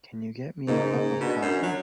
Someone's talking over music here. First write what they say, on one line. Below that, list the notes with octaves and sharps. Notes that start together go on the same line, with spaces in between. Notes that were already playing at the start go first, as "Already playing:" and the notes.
Can you get me a cup of coffee?
G#2 C#3 A#3 D#4
B2 D4
F#2
F#3